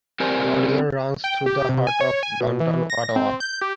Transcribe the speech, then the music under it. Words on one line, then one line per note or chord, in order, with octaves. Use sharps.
Laurier runs through the heart of downtown Ottawa.
C4 G4 A#4 C5 D5 G#5
G5
G4
C3
G#5
C#5
G#5
B2
E3
A#6
C4
G6
G4